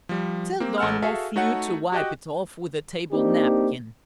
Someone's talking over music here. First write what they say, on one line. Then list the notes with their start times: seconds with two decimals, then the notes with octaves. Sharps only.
Pseldonimov flew to wipe it off with a table-napkin.
0.09 F3 G3
0.60 A#3 C4 G4
0.78 A1 A4 F#5 E6 F6
1.02 F#4 G#4 A4 E5 F5 G#5
1.36 A3 D#4 F#4 A4 C#5 F#5
1.92 F#4 G4 D#5 G5 F#6
3.12 A#3 C4 D4 D#4 G4